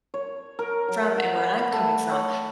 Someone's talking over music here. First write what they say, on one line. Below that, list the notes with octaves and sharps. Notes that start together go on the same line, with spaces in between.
from and where I'm coming from,
C#5
A#4
F#3
F#5
B5
A3
C#5